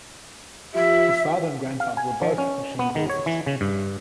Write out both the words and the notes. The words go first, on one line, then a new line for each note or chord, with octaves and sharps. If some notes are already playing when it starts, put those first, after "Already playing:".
His father and grandfather were both machine builders.
F3 F4 G4 E5
F5
G#5
F3
C#4
B3
D#3
C#5
E3
C#3
G2